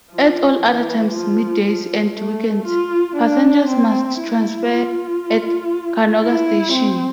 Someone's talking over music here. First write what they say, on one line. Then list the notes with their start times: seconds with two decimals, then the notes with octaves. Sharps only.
At all other times middays and weekends, passengers must transfer at Canoga Station.
0.12 F3
0.62 E3
1.12 F3
1.63 F3
2.15 A3
2.66 F4
3.16 D4
3.68 C4
4.18 E4
4.70 F4
6.22 E4
6.72 C4